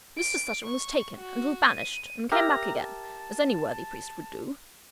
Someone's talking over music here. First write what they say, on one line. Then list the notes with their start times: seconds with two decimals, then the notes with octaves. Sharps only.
Mr. Sutton was taken, and was banished, and came back again, as any worthy priest would do.
0.17 D7
0.63 C#6
1.18 F#4
1.66 D#7
2.32 G4 A#4 E5 A#5
2.79 A5